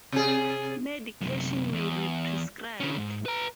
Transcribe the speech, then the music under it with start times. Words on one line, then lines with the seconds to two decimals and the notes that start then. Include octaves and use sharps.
Medication may be prescribed.
0.12 C3 G#4
1.21 F#2 C3
1.72 E2
2.80 D3 C#4
2.97 G#2
3.26 B4 A#5